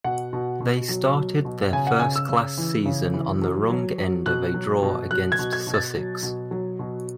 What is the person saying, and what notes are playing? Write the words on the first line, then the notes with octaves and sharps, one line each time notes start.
They started their first-class season on the wrong end of a draw against Sussex.
B2 F#5
B2
B2
F#3
F#3
B2
C#3 G#5
F#5
C#3 G#5
E6
C#3
E3
C#3
E3
F#3
F#3
F#3
B2 F#6
F#3
B2
F#3 F#6
G#6
B2
G#6
B2
A6
F#3
B2
F#3
B2